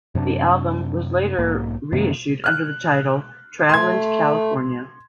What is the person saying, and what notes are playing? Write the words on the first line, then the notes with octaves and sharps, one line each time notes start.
The album was later reissued under the title "Travelin' to California".
F#2 C3 C#4 D4
B1 G#2 A#3
F#2 C3 D#3 A#3
F6 F#6
A3 C6 G#6